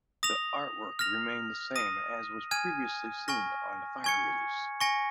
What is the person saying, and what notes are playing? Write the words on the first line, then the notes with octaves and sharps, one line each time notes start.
The artwork remained the same as was previously seen on the Fire release.
D#6 A#6 F7
F6 A#6 F7
D#6 A#6 D#7
G#5 F6 G#6 D#7
G#5 C#6 F6 A#6
G#5 C#6 G#6 C#7
G#5 C#6 A#6 C#7